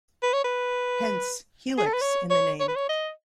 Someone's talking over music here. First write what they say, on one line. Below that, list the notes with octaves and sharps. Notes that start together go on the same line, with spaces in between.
Hence "helix" in the name.
B4
C#5
B4
G#4
A4
B4
C#5
C#5
C#5
B4
C#5
D#5